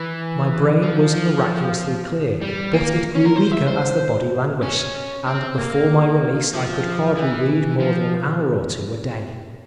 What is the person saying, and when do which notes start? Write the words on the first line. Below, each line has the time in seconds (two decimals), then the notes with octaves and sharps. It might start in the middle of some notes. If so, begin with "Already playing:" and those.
My brain was miraculously clear, but it grew weaker as the body languished; and before my release I could hardly read more than an hour or two a day.
Already playing: E3
0.83 F3
1.14 F3
2.41 G3
2.73 A#3
3.15 C#4
3.26 A#4
3.36 C5
3.52 E5
3.68 C5
4.63 C#4
5.27 C4
5.58 A#3
6.53 F3
7.17 E3
7.81 F3